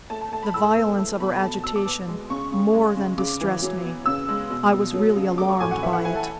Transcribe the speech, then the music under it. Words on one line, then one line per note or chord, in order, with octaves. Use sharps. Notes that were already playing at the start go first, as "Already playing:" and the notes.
The violence of her agitation more than distressed me--I was really alarmed by it.
A3 A5
A5
A3 A5
B5
A2 E6
B3
A3
B2 B5
B2 A5
A5
B2 E6
D6
B3
G#3
C#3 C#6
C#3
G#3
C#3
C#3 D6
E3
F#3
B3
C#3 E6
G#3
B2
B2
F#3
C#3
A3 D6
C#6
A2 G#5
F#5
E3 E5
F#5
E3 G#5
A4